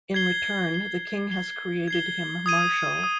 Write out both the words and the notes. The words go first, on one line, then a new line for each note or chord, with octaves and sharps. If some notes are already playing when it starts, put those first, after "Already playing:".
In return, the King has created him Marshal.
G#6 C7 G7
G#6 C7 G7
G#6 C7 G7
G#6 C7 G7
D#6 G#6 D#7
D#6